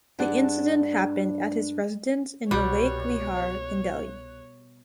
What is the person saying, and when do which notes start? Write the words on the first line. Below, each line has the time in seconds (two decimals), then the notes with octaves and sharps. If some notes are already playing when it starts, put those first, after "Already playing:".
The incident happened at his residence in Vivek Vihar in Delhi.
0.19 G2 D4 G#4 D5 F#5
2.51 C2 B2 G3 C#5 F#6